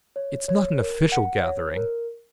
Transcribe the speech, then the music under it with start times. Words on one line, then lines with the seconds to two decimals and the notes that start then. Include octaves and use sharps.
"It's not an official gathering."
0.16 C#5
0.48 C#5
0.81 A#4
1.12 F#5
1.44 C#5
1.77 A#4